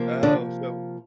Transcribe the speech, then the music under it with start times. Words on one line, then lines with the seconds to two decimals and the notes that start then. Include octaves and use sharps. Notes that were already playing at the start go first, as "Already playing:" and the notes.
Oh, so
Already playing: C3 F3 A#3
0.23 D3 D4